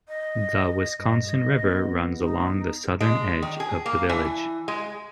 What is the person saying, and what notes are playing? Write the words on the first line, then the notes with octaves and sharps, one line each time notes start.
The Wisconsin River runs along the southern edge of the village.
D#5
G2 D#5
B3
D#4
G#3
D#3
G#4
A#3
E3
G#3